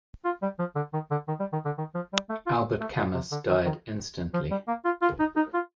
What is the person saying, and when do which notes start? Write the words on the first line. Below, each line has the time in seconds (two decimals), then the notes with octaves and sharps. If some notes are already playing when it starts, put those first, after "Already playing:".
Albert Camus died instantly.
0.25 F4
0.42 G3
0.59 F3
0.75 D3
0.93 D#3
1.11 D3
1.28 D#3
1.40 G3
1.52 D#3
1.65 D3
1.78 D#3
1.95 F3
2.13 G3
2.29 A3
2.47 F4
2.81 A3
2.98 A#2
3.14 C3
3.32 D3
3.49 D#3
3.65 D#3
4.34 F3
4.51 G3
4.68 A#3
4.85 F4
5.02 F4
5.19 D#4
5.36 D#4
5.54 F4